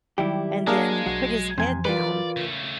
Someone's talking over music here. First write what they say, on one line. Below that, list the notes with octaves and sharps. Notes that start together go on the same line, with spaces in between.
and then put his head down
D#3 F#3 G3 E4 G4
G#3 A#3 D4 G#4 A#4 F5
B1 F#3
F2 C3 E3 C5 G#5
E3 F4 A#4 B4 D5
C#3 A3